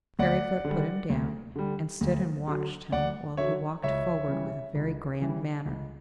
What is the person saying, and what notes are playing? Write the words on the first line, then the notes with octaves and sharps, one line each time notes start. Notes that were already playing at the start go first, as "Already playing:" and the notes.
Fairyfoot put him down, and stood and watched him while he walked forward with a very grand manner.
D2 D5 F#5
D3
G3
D2
D3 G3
D2
D3 F#3
D2 D5 F#5
D3 F#3 C#5 E5
C#2 C#5 E5
C#3 E3 G3
C#2
C#3 E3 G3
C#2